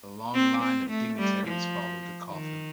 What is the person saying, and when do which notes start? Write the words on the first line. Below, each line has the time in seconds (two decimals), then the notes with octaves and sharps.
A long line of dignitaries followed the coffin.
0.34 C4
0.63 C4
0.90 A3
1.19 G3
1.48 F3
2.32 D#3